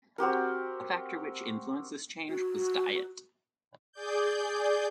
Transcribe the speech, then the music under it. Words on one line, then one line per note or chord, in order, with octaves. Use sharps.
A factor which influenced this change was diet.
C4 F#4 G4 A#4
F#4
G#4 D5 G6